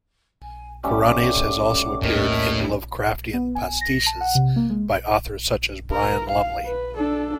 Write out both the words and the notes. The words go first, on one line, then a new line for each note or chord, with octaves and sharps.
Kuranes has also appeared in Lovecraftian pastiches by authors such as Brian Lumley.
G#5
G3 A3 C#4 F#5 D6
D#2 A2 A#4 D#5
B3
G#5
A#6
A5
F#5
C3
A#3
G#3
A#4
F5
B4
D4 A4